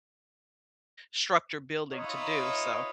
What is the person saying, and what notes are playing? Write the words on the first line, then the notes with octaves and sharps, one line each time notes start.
structure building to do so.
D#4 F4 B4 C#5 E5